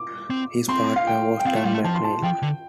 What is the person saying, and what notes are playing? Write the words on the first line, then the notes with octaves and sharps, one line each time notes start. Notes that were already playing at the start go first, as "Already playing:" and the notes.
His partner was Don McNeill.
Already playing: D6
C4
C4 C6
F5
G5
G5
C4 F5
A3
G3 F5
A3
F3 A5
C6
A5
F3 G5
D3